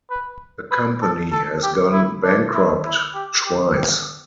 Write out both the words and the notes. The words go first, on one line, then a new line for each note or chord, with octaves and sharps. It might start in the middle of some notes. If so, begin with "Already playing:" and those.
The company has gone bankrupt twice.
B4
B4
A4
A4
G4
E4
D4
E4
E4
G4
G4
G4